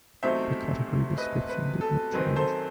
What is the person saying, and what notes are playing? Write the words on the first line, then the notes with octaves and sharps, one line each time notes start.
The category description did not change.
E2 C3 F#3 A3 D#4 C5 E5
B4 D#5
B4
A4
F#2 D#3 F#3 C4 D#4 B4
A4 C5